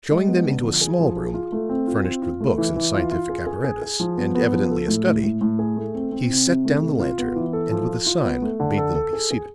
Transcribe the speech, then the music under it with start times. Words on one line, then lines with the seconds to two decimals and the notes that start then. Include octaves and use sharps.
Showing them into a small room furnished with books and scientific apparatus and evidently a study, he set down the lantern and with a sign bade them be seated.
0.10 G#3
0.28 B3
0.46 D3
0.64 F3
0.81 G#4
0.99 F3
1.16 G#4
1.34 F4
1.52 A3
1.69 C4
1.87 F4
2.05 C4
2.23 F4
2.40 A3
2.58 E3
2.76 E3
2.94 F4
3.11 F4
3.29 G#4
3.47 G#4
3.64 G#4
3.82 G#4
4.00 F3
4.17 B3
4.35 B3
4.53 F3
4.70 A4
4.88 A2
5.06 A2
5.24 A2
5.41 A2
5.59 G#4
5.77 A3
5.94 C4
6.12 C4
6.30 C3
6.47 C3
6.65 A3
6.82 C3
7.00 F4
7.18 B3
7.36 E3
7.53 A4
7.71 F3
7.89 F4
8.06 F4
8.25 B3
8.42 A3
8.60 D3
8.78 A4
8.95 A4
9.13 G#4
9.31 G#4